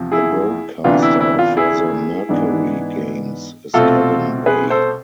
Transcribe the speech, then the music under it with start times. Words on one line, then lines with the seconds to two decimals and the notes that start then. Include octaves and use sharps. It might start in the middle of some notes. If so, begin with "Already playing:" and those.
The broadcaster for the Mercury games is Kevin Ray.
Already playing: E2 C3 F3
0.12 E4 G#4
0.84 D2 C3 E3 B3 D4 F4
1.02 E4
1.21 E4
1.39 F4
1.57 E4 G#4
2.29 G#2 E3 B3 D4
3.74 C2 B2 A3 C4 F4 A4
4.46 G#4 B4
4.70 A4 C5